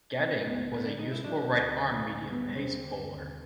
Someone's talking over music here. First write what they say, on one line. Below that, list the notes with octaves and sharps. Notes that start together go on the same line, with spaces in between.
Gatting was a useful right arm medium pace bowler.
F3 C4
D2 B3
D3 B3
D4
G#3 D#4
E4
F#3 D4
D2 C4
C#3
D2
G3 B3
D#2 C4
D3
D#2